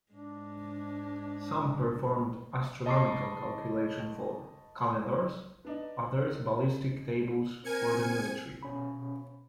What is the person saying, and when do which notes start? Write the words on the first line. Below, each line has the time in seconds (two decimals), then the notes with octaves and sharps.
Some performed astronomical calculations for calendars, others ballistic tables for the military.
0.13 G#2 G#3 D4
2.86 D#5 A5 B5 C#6 D6 C7
5.65 B3 D4 D#4
7.65 C4 A#4 G#5 G#6 C#7
8.63 B2 C#4 B5